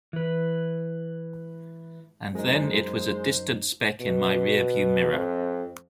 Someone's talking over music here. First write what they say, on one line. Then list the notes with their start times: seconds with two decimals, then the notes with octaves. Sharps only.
And then it was a distant speck in my rear view mirror.
0.13 E3 B4
2.35 F#2 G#3 D#4 C5
4.00 B2
5.13 F2